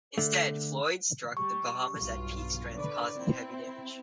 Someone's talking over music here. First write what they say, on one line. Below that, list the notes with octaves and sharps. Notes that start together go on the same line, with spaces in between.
Instead, Floyd struck The Bahamas at peak strength, causing heavy damage.
D3 A3
G3 C#6
B1 G2 F4
D3 B4 D5
C4 E4